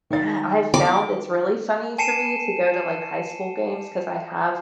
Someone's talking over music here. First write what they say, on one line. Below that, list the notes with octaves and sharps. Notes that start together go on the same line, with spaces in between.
uh, I found it's really funny for me to go to, like, high school games 'cause I have
D#3 A6
D6
G#5 A5 C7 C#7 D#7 E7